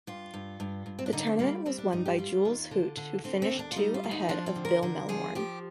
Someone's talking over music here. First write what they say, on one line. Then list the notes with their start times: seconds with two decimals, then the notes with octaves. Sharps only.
The tournament was won by Jules Huot who finished two ahead of Bill Mehlhorn.
0.07 G2 F4
0.34 G2
0.60 G2
0.86 G2
0.99 C4
1.06 D4
1.13 D3 D#4
1.27 C4
1.39 G3 A#3
1.66 G3 C4
1.78 D4
1.92 G2 D#4
2.06 G4
2.18 G3 F4
2.45 D#2
2.71 D3
2.97 D3
3.24 D3 C4
3.42 C4
3.50 D#2
3.59 D4
3.72 F4
3.76 G3 D#4
3.94 F4
4.04 D#2
4.11 D#4
4.29 F3 D4
4.46 C4
4.56 D3
4.65 A#4
4.83 D3 A#4
5.09 F3 G#4
5.35 F3 G4